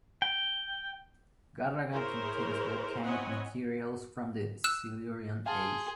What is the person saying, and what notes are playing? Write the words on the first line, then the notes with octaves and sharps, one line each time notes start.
Garran contains volcanic materials from the Silurian Age.
G5
E4 G#4 A#4 C5 C#5
C4 E4 C#5 D#5 F#5 G#5
E6 F#6 E7
G#4 F5 G#5 A5 C6